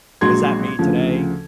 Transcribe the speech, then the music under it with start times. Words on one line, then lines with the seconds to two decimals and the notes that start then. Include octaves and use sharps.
Is that me today?
0.21 A#1 F#3 G#3 F#4 C6 G#6
0.79 D2 C#3 F3